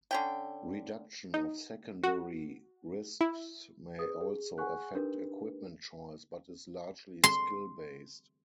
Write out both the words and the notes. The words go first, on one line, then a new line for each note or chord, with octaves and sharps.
Reduction of secondary risks may also affect equipment choice, but is largely skill-based.
D3 C#4 G5
D#4
F#4
E4
G#4 B4 D#6
G#4
G#4 F#5 G#5 C#6 F#6
D4 D#4 G4 A#4 B4
C6